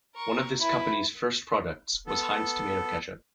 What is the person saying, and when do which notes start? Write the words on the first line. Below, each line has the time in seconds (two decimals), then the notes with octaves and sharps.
One of this company's first products was Heinz Tomato Ketchup.
0.15 A#4 C#6
0.60 E4 B4
2.07 B3 A4